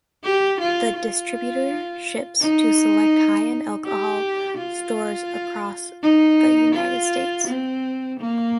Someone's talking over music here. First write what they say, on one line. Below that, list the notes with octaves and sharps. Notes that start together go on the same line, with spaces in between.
The distributor ships to select high end alcohol stores across the United States.
G4
F4
F4
D#4
G4
F4
D#4
F4
C4
A#3